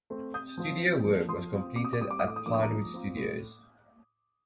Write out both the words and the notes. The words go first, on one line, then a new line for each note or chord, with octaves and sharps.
Studio work was completed at Pinewood Studios.
A3 C4
C3 D#6 G6
F3 C4 F4
C3
F3 A#3
F3 C6 D#6
C4 F4
C3 D6
D#6
D6
G3 C4 D#6
D6
A2 D#6
D6
D#6
F3 A#3 D4 D6
D#6
A#5 D6
F3
C4 F4
A2